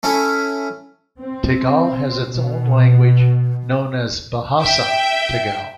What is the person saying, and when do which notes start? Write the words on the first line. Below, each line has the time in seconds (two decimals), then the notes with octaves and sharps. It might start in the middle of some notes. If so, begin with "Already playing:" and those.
Tegal has its own language, known as "Bahasa Tegal".
0.03 A3 C#4 E4
1.20 C4
2.29 B2
4.60 E5 G5